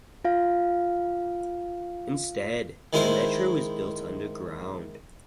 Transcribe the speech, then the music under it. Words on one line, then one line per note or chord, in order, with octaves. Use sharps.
Instead, the metro was built underground.
F4 F5
D#3 G#3 E4 C5